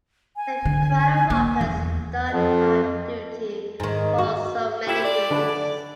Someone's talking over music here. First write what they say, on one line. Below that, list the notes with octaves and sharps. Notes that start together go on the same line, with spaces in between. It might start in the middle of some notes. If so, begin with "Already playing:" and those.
The cradle-rockers had done hard duty for so many years.
G#5
D3
A#3
E2
F2
G#2 D#3
F#4
C3 E4 F4 G4
D5
D3 D4 B4